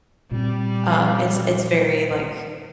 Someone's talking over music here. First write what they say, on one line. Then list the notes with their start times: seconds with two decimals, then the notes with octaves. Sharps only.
um, it's it's very, like,
0.31 A#2 G3 C4
0.93 F5